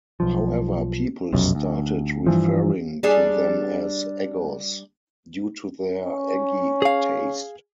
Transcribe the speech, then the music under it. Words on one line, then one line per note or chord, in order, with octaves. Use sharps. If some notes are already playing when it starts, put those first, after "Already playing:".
However people started referring to them as "eggos" due to their eggy taste.
B1 F3
F1 B1 F#2
D2
G2 E3 F3
G3 D4 G#4
C#4
G#4 F5